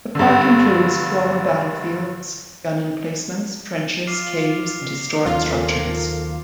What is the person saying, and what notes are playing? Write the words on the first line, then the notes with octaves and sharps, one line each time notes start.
The park includes former battlefields, gun emplacements, trenches, caves, and historic structures.
G2 D3
F4 D6 F6 C7
D#2 F#3 A#3 C4 F4 A4